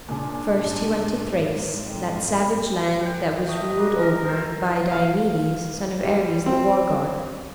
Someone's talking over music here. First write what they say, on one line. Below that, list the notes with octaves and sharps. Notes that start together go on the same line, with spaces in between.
First he went to Thrace, that savage land that was ruled over by Diomedes, son of Ares, the war god.
A#2 C#3 D4 G#5
G#2
F2
F#5 G5
A3 D#5
D4 A#4
A#4 D#5
A4 C5
F5
G3
C4